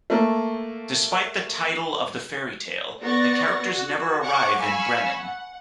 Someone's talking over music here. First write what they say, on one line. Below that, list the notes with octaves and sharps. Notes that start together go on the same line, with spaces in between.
Despite the title of the fairy tale, the characters never arrive in Bremen.
A3 A#3
B3 D5 C#6 A6 A#6
F#4
C#5 F#5 C#6 D6
F5 G#5 B5 C#6 E6
F#5